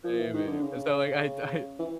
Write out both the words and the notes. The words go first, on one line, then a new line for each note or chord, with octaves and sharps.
Maybe. And so like, I d I
F3
E3
D#3
D3
C#3
E3